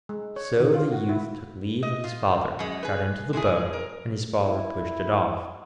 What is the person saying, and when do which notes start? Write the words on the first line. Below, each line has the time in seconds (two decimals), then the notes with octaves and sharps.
So the youth took leave of his father, got into the boat, and his father pushed it off.
0.09 G#3
0.36 C#5
0.60 D#3
0.74 F4
0.92 F#4
1.09 E4
1.83 D#5
2.04 F4
2.59 F#2 G#3
2.83 G#4 B4
3.33 G#3 A3 E4 G#4
3.73 A#4
4.45 E4